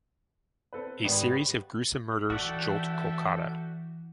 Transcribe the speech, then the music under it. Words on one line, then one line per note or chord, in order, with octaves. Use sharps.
A series of gruesome murders jolt Kolkata.
C4 A4 B4
G#1 D#2 G3 B3
E3 F#4 A4 D5 E5 F#5 G5